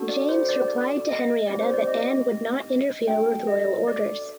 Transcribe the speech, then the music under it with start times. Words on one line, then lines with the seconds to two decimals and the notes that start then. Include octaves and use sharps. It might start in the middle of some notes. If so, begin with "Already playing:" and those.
James replied to Henrietta that Anne would not interfere with royal orders.
Already playing: D4 F#4 A4
0.08 D5
0.29 C5
0.49 D5
0.68 D5
1.09 D#5
1.48 C4 D#4 G4 D5
1.60 C5
1.74 D5
1.87 D#5
3.08 D4 F#4 A4 G5
3.47 D#5
3.87 D5